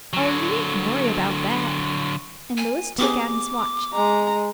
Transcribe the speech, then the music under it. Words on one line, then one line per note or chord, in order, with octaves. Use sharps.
"Oh, you needn't worry about that," and Louis took out his watch.
D3 F#3
G#5
B3 G4 G#4 D6
G#3 A#5